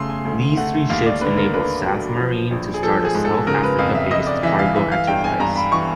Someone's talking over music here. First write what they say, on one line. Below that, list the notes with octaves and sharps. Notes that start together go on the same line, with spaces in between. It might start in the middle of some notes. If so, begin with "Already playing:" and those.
These three ships enabled Safmarine to start a South Africa-based cargo enterprise.
Already playing: C#3 A3 C6 E6
G#5
D2
A3 F#5
D#2 F5
D5
D3 B4
A#4
D3 B4
F#3
F3
A#1
G#4
F3 A4
G#4
G#2
A4
C#3 A#4
B4
F2 F5
E5
F2 D#5
D5
E3 E5
F5
E3 E5
F5
G2 G5
G#5
G2 A#5
B5
E3 C#6